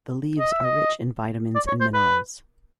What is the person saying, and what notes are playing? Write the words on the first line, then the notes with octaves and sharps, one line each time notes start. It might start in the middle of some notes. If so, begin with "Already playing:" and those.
The leaves are rich in vitamins and minerals.
D#5
E5
D#5
D5
C#5
C5
B4